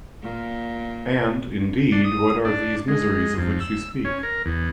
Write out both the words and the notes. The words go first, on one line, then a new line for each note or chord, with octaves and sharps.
And, indeed, what are these miseries of which you speak?
A#2
D4
D#6
D4
G#3
F2
E6
C#4
A#4
E2